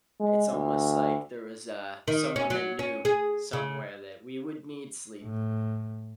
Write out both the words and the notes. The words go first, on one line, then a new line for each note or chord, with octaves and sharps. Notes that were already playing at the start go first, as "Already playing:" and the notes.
It's almost like there was, uh, someone that knew somewhere that we would need sleep.
G#3
D2
D#3
C#4
F#3
C#4
G#4
C#3
A2